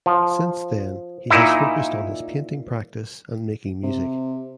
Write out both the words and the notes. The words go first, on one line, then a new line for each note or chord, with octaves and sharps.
Since then he has focussed on his painting practice and making music.
F3
A#2 D#4 E4
C3